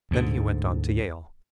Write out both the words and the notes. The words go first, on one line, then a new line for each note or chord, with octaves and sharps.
Then he went on to Yale.
D2 G#2